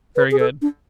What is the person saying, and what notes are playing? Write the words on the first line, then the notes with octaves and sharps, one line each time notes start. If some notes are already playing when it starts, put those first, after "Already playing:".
"Very good!"
B4
G#4
A4
D4